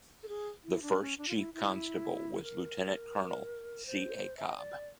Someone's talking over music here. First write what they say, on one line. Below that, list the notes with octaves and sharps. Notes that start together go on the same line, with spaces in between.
The first Chief Constable was Lieutenant Colonel C. A. Cobbe.
A4
G#4
E4
D4
C#4
D4
F4
E4
E4
A#4
C5
E5
D#5
D5